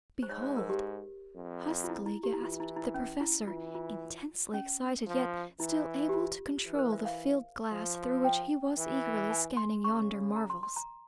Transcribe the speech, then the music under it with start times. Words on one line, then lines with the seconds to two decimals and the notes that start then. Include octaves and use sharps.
"Behold!" huskily gasped the professor, intensely excited, yet still able to control the field-glass through which he was eagerly scanning yonder marvels.
0.23 C5
0.29 G#2 C#5
0.42 C5
0.57 A#4
0.69 G4
1.36 F2
1.84 F4
1.89 E4
2.06 E4
2.23 G4
2.34 E4
2.41 E3 F4
2.60 E4
2.76 E4
2.94 C#4
3.21 E4
3.47 E3 F4
3.75 F4
4.54 C#4
5.07 F3
5.60 E3 E4
6.09 G4
6.13 F4
6.66 E3
6.75 A#4
6.79 C5
6.92 E5
7.05 F5
7.72 F3
8.24 G5
8.78 E3
9.30 G#5
9.57 C6
9.84 C#3 C#6
10.36 A#5
10.50 C6
10.63 C6
10.76 A#5